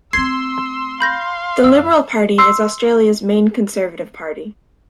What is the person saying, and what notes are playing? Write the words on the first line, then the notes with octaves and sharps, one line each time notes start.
The Liberal Party is Australia's main conservative party.
A3 C4 C6 E6 G#6 C7
F5 B5 G6 A#6
F#2 E6
C6 E6 C7